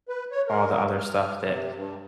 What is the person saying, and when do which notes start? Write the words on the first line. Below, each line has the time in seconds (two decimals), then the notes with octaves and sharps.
all the other stuff that
0.09 B4
0.32 C#5
0.48 A#4
0.98 F6
1.45 C3
1.76 G2